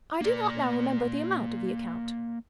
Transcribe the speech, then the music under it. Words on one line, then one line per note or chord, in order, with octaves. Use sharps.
"I do not now remember the amount of the account."
A#3 D5